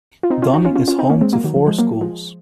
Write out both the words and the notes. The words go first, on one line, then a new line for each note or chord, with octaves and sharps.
Dunn is home to four schools.
F4
C4 D#4
C#4 F4
D#4 F#4
C#4 F4
C#4 F4
C#4 F4
C4 D#4
A#3 C#4
G#3 C4
F#3 A#3
D#3 F#3
F3
F3 G#3
F#3 A#3
F3 G#3